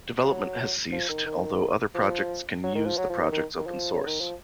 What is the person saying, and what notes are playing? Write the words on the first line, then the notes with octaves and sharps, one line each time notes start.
Development has ceased, although other projects can use the projects open source.
F#3
F3
D#3
D#3
F3
F#3
D#3
F3
F#3
F3
D#3
D#3
D#3
F3
C#3
D#3
F3